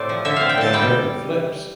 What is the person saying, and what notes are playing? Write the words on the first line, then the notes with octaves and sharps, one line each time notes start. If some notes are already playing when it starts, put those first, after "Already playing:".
The hair flips!
Already playing: A2 C3 A3 C5 D5
F3
D3 E5
C4 F5
G5
D3 A5
G3 G5